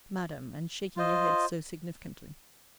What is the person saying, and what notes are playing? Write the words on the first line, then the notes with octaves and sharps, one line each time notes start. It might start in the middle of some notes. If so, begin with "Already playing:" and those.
Madam, and shaking your head so significantly?
F4 C5 D#5